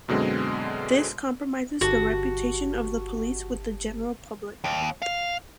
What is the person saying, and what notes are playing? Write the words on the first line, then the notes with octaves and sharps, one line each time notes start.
This compromises the reputation of the police with the general public.
F#2 B2 D3 G#3 C4
G1 F#4 G4 A5
D#2
F5